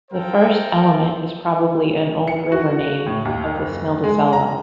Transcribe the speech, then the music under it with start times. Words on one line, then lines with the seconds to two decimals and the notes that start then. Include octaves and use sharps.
The first element is probably an old river name of the Snilldalselva.
0.11 A4 A#4 C5 F5 G5
2.28 C#7
2.52 F#4
3.06 A2
3.25 D#2
3.55 F#1
4.04 G#3
4.33 A#5